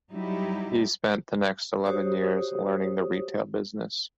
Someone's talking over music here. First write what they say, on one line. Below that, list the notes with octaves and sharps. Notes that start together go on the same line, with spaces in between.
He spent the next eleven years learning the retail business.
F#3 G3 D#4 E4 G4
F#4 G4 C5 C#5 D#6